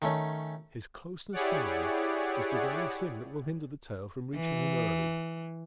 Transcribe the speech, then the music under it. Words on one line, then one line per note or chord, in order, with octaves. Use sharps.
His closeness to me is the very thing that will hinder the tale from reaching him early.
D#3 A3 C#4
E4 G4 G#4 C#5 D5 F#5
E3